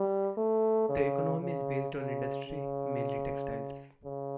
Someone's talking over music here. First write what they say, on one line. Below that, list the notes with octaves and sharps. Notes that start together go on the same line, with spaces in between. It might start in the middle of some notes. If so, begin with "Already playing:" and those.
The economy is based on industry, mainly textiles.
Already playing: G3
A3
C#3
C#3
C#3
C#3
C#3